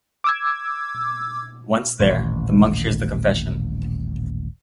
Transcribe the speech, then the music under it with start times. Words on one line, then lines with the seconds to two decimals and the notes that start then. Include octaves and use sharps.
Once there, the monk hears the confession.
0.24 D6 E6 G#6
2.00 D#1 A1